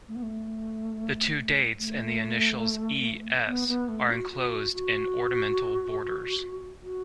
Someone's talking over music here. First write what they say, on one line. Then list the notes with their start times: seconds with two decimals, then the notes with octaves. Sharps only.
The two dates and the initials E. S. are enclosed in ornamental borders.
0.08 A3
0.15 B3
0.23 A3
1.77 A3
3.47 B3
3.68 B3
3.89 A3
4.10 F#4
4.31 F#4
4.72 F#4
6.84 F#4